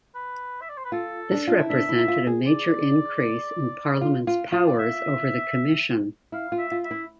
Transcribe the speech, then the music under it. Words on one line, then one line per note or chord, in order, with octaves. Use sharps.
This represented a major increase in Parliament's powers over the Commission.
B4
E5
D5
C5
B4
F4 A4
D4
F4
E4
D4 E5
E4
F4
G#4
D5
F4
F4
F4
D5
E5
E4 F5
F4
E5
F4
E5
E4